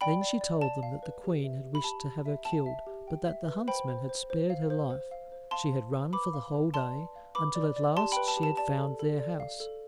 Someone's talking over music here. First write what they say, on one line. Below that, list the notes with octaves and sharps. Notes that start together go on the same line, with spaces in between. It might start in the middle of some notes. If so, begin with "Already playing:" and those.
Then she told them that the Queen had wished to have her killed, but that the huntsman had spared her life; she had run for the whole day, until at last she had found their house.
D5 G5 B5
D5
D5
D5 A5
F5
B4
G4
E5
G4
B5
G4 A5
G4
E5
G5 A5
E5
G4
G5
E5
B4
C5 G5 B5
C5
C5
C5
F5
C5
C5
F5
C5
F5 A5 C6
C5
C5
B4 B5 D6
F5
B4
D5 A5 C6
B4
F5
B4 B5 D6
D5
D5
G4 A5 C6
B4 G5 B5
A5
G4
A5
D5 A5
A4
A4
D5
F5
A4